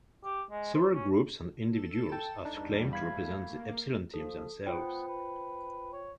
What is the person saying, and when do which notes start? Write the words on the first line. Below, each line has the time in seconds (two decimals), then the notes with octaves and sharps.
Several groups and individuals have claimed to represent the Epsilon Team themselves.
0.24 G4
0.51 G#3
0.75 C5
0.93 C#4
1.67 A4 E7
2.12 G5 A5
2.45 E2 G2 G3 D4 D#4
2.93 A3 F5 B5 G#6
3.41 A#3
4.14 F3 A4
4.66 B3 F4 C5 G5
5.07 B4
5.93 C#5